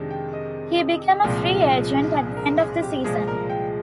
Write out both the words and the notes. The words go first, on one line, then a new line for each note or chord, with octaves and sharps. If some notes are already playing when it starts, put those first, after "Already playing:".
He became a free agent at the end of the season.
Already playing: F2 C3 D#3 G#3 D4
G5
D#5
C2 A#2 F3 G#3 C4
G#4
A#4
G#4
G4
C2 A#2 F3 G#3 G#4
A#4
G5